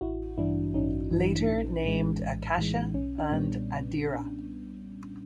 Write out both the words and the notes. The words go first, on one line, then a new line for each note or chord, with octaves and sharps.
Later named Akasha and Adira.
A1 E4 F#4
G2 E3 D4 E4
A1 C#4 D#4
G2 E3
A#1
A2 E3 G#3
A#1
A2 E3 G#3
B1 C#4
D4
A#2 G3 B3